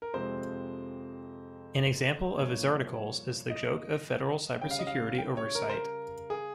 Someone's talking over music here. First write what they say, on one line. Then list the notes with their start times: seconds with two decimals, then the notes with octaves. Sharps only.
An example of his articles is "The Joke of Federal Cybersecurity Oversight".
0.02 A#4
0.14 F2 C3 F3 G#3 C4 C5
2.37 G2 F3 A#3 C#5
3.50 D#5
4.61 C#3 G3 C#4 G5
4.71 F5
4.79 D#5
4.87 F5
5.18 G5
5.37 C#5
5.55 A#4
5.69 C5
5.74 A#4
6.30 G#4